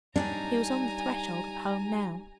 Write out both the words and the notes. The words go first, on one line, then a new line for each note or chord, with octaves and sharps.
He was on the threshold of home now.
G3 D4 D#4 C#5 G#5 A#5